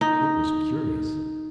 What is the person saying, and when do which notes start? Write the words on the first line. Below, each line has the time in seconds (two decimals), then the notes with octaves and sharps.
It was curious.
0.01 D#4